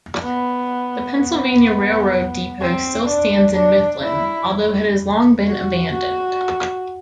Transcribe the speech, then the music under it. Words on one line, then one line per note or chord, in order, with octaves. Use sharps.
The Pennsylvania Railroad depot still stands in Mifflin, although it has long been abandoned.
B3
B3
C4
D4
D4
E4
F#4
F#4